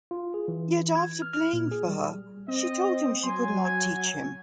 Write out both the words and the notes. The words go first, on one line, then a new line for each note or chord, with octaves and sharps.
Yet after playing for her, she told him she could not teach him.
F4
G#4
E3
G#6
F6
F6
A#2
G#4
G3
C4 D#5
F#3 G#5 C6
G#6